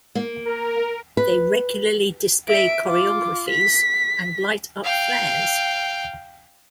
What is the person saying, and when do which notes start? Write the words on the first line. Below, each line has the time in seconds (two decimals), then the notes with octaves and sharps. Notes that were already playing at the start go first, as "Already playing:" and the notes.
They regularly display choreographies and light up flares.
0.15 A#3
0.45 A#4
1.17 B4
2.48 E5 D7
2.85 F4 D6
3.49 B6
4.84 F5 G5